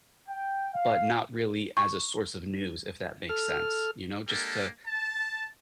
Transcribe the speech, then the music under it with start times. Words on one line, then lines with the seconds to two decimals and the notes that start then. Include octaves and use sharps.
but not really as a source of news, if that makes sense. You know, just to
0.28 G5
0.74 F5
1.77 C#6
3.29 A4 F6
4.28 G#3 A#3 D4 G4 A4 A#4
4.86 A5